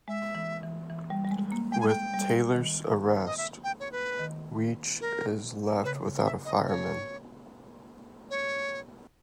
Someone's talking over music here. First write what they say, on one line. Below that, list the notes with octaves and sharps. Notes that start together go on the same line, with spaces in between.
With Taylor's arrest, Weech is left without a fireman.
G#3 E5
E3
E3
E3
G3
G3
G#3
A#3
G#3 G5
G#5
G5
G3
D#3
D#5
E5
G5
C#5
B4
D#3
A#4
C#3 B4
E5
D#5
C#5
C#5